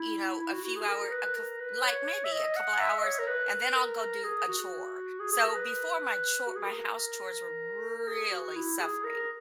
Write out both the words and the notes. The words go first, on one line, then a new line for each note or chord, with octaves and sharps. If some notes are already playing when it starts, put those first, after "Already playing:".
you know, a few hour a coup like, maybe a couple of hours, and then I'll go do a chore. So before my chore my house chores were really suffering.
Already playing: E4
E4
F#4
F#4
G#4
A#4
B4
A#4
B4
C#5
E5
D#5
F#5
E5
D#5
C#5
A#4
B4
A#4
G#4
F#4
G#4
G#4
A#4
B4
F#4
G#4
A#4
G#4
F#4
E4
G#4
A#4